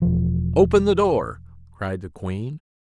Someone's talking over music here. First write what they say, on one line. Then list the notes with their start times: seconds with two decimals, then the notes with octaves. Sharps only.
"Open the door!" cried the queen.
0.02 E1 F3